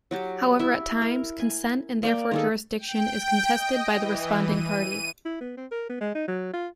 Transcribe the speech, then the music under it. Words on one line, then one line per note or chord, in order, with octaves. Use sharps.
However, at times consent and therefore jurisdiction is contested by the responding party.
F#3 F#4 G4
E4 E5
A#4
G#5
A#3 D5 G5
D#3 G#4 A4
G5
D#5
E3
D#7
E4
B3
C4
A#4
B3
G#3
D#4
F#3
F4